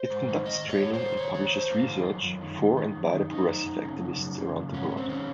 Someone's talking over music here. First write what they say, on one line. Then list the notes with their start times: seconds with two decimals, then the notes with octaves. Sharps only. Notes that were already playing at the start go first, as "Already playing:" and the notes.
It conducts training and publishes research for and by progressive activists around the world.
Already playing: C5
0.10 G#2
0.28 D#3
0.45 D#3 D#5
0.63 G#2
0.69 C#5
0.82 G#2
0.93 C5
0.99 G#2
1.17 D#3 C#5
1.34 D#3 C#5
1.52 D#3 C5
1.70 G#2 F4
1.88 D#3
2.06 F#2
2.23 F#2
2.41 D#3
2.60 D#3
2.77 D#3
2.95 F#2
3.13 D#3
3.31 F#2 D#4
3.48 F#2
3.66 F#2
3.85 C#3
4.01 F#2
4.20 F#2
4.38 C#3
4.55 F#2
4.73 G#2 C#4
4.91 G#2
4.97 C4
5.09 D#3 C#4